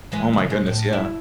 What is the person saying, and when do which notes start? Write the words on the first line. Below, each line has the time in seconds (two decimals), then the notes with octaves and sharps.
Oh, my goodness, yeah.
0.12 E3 G#3 B4
0.33 C#3 E3
0.50 B2 G#3
0.66 A2
0.93 E4